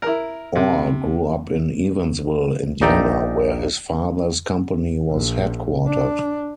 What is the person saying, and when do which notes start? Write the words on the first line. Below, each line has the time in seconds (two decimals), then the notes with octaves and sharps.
Orr grew up in Evansville, Indiana where his father's company was headquartered.
0.02 E4 A#4
0.55 C3
2.81 A#1 D#4 D5 E5 G5 A#5
5.10 A#1
5.87 D4